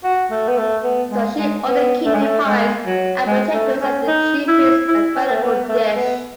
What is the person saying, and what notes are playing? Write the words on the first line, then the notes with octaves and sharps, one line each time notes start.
So she ordered kidney-pies and potatoes as the cheapest available dish.
F#4
A3
B3
A3
B3
G#3
G#3
B3
A3
G#3
A3
G#3
F#3
G#3
A3
C#4
D#4
E4
E4
C#4
A3
B3
A3
B3